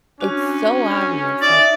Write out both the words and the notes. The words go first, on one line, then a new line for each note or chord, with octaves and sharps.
it's so obvious, like,
C#4 D4 F#4
D#4 D5 E5